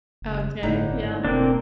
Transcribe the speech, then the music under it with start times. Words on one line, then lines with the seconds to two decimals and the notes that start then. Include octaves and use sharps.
Okay, yeah.
0.22 F#1
0.63 G1 A2 D3 D#4
1.04 G#2
1.25 E1 A#3 C4 D4